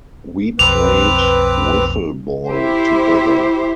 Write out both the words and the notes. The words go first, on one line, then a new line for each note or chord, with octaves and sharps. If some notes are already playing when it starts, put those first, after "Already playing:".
We played Wiffle ball together.
B1 F2 C4 B4 D6 F7
E4 G4 C5